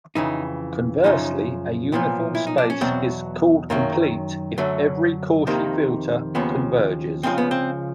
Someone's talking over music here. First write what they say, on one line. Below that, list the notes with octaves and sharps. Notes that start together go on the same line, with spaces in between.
Conversely, a uniform space is called complete if every Cauchy filter converges.
F2 C#3 E3 D#4
F#2 C#3 F3 D#4
B1 A#2 F3 B3
E4
D#4
D4
C#4
E2 B2 F#3 C4
F#2 D#3 F#3 A#3
F#2 D3 F#3 A3
F2 C3 D#3 A#3
D#2 C#3 F3 B3
C#2 C#3 F3 C4
B3
C4